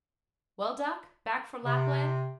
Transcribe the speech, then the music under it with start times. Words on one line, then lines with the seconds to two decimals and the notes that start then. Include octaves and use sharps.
Well, doc? Back fro Lapland?
1.65 C3